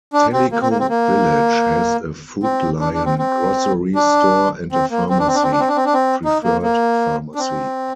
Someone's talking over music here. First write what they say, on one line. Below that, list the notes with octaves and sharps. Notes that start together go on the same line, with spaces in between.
Tellico Village has a Food Lion grocery store and a pharmacy, Preferred Pharmacy.
D4
C4
A#3
C4
A#3
C4
A#3
C4
D4
D4
C4
C4
D4
C4
A#3
C4
D4
C4
D4
C4
D4
C4
D4
C4
D4
C4
D#4
A#3
A#3
D4
C4